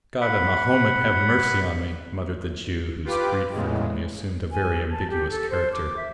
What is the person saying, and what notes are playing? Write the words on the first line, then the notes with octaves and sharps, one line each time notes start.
"God and Mahomet have mercy on me!" muttered the Jew, whose creed frequently assumed a very ambiguous character.
F#5 B5
F4 G4 B4 D6
E2 A2 C#3 G#3
G#5
A5
G4
A4
C5
D6
E5